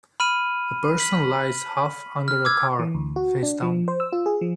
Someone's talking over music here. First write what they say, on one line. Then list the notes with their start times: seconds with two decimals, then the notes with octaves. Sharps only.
A person lies half under a car, facedown.
0.20 B5 F6 D#7
0.98 B6 F#7
2.28 F6
2.45 D6 E6 G#6
2.79 E3
2.94 D2
3.16 F#4
3.43 D4
3.62 F3
3.88 C5
4.00 E6
4.13 F4
4.26 G#4
4.41 F3